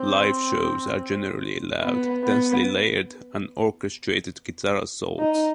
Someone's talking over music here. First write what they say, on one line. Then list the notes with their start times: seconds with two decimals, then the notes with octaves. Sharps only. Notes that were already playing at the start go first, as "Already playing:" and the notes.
Live shows are generally loud, densely layered and orchestrated guitar assaults.
Already playing: C4
1.81 B3
2.24 B3
5.19 D#4